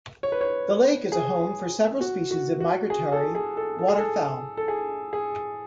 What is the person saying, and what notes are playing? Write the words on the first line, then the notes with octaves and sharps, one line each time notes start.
The lake is a home for several species of migratory water fowl.
C#5
B4
C#5
G#4
F#4
F#4
F#4
G#4
A4
G#4
A4
A4
G#4
A4
A4
G#4
G#4